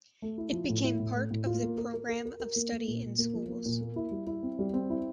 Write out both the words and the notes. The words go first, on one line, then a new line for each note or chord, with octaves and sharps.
It became part of the program of study in schools.
A3
E4
F3
A2
E4
A2
A3
A2
F4
A#3
A#4
A#4
A#4
A#4
A#4
A#3
A#3
A#2
A#2
A#3
F3
A#3
A#2
A#3
E4
G3
E4
C4
G3
C4
E4